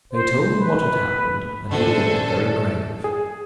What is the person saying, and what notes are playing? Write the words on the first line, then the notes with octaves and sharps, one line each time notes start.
They told him what had happened, and he looked very grave.
C5
B4
D#1 A#1 D3 C#4 A4 C5
G#4